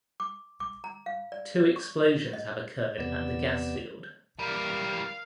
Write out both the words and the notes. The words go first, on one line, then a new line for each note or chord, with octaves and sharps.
Two explosions have occurred at the gas field.
D6
D6
A#5
F5
D5
C#6
D#5
E2 C3 B3 D5 E6
E3 G3 A#4 F5